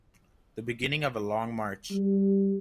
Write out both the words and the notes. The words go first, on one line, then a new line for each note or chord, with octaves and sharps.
The beginning of a long march.
G3